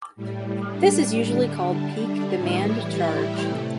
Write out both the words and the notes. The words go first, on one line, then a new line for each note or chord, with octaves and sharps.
This is usually called peak demand charge.
A2 G3
D4
D3 G3 D4
D4
A2 E3 G3 E4
G4
C3 A3